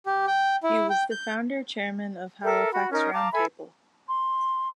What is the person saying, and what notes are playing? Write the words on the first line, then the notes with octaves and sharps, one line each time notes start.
He was the founder Chairman of Halifax Round Table.
G4
G5
E4
G5
G6
A4 A#4 E5
F#4 B5
C#4 D#4 A#4
F5 A5 A#5 D6
A4 E5 G#5 B5
C6